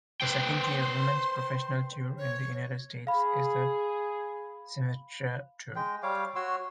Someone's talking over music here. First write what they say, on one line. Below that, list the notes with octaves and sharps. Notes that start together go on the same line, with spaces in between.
The second tier women's professional tour in the United States is the Symetra Tour.
B4 C5 G5
C6
C#5
G#4 F5 B5
G#3 G5
G3 C#5 F5 D6
F#4 C#5 C6 E6